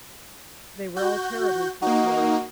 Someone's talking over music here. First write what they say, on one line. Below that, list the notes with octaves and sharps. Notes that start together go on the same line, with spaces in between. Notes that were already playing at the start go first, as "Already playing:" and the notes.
They were all terribly footsore.
F#4 G6
A#3 D#4 F#4